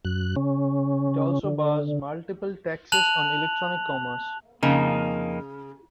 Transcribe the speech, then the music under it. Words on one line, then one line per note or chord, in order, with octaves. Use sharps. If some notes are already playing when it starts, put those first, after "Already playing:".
It also bars multiple taxes on electronic commerce.
F#2 F#6
C#3 C#4
D3
A5 F#6 F7 F#7
F2 C#3 A#3 D#4